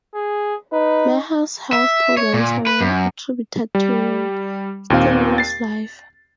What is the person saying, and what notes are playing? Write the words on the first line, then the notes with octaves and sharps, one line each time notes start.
Maher's health problems were attributed to a strenuous life.
G#4
D#4 B4
E5
C#5
A#2
B4
F#2
G3
D#2 A#2 C4 F5
A6 C7